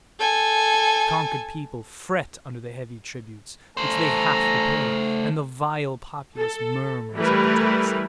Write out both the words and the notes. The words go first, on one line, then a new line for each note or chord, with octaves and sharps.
The conquered people fret under the heavy tributes which they have to pay, and the vile populace murmur at the taxes.
A4 G#5
A3 A4 C5 G#5 A#5
A4
E3 G3 A3 E4 A#4 B4